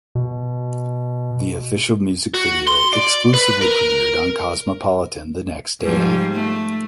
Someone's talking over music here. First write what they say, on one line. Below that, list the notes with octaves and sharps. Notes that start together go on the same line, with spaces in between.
The official music video exclusively premiered on Cosmopolitan the next day.
B2
F#4
C6
D5
B4
A#4
G#2 F3 G3
A3